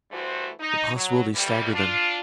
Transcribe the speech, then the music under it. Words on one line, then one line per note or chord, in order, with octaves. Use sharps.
The possibility staggered them.
G2 E3 A3 F#4 C5
D#4
F#3
D2 C3 E3 G3
D4 F4